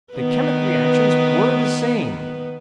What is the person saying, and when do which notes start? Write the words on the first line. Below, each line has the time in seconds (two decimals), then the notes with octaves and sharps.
The chemic reactions were the same.
0.14 D#3 B3 B4